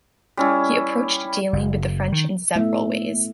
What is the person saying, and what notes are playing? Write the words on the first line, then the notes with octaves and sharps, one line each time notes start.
He approached dealing with the French in several ways.
G3 C#4 E4
F#1
D#3
A3 B3 E4 E5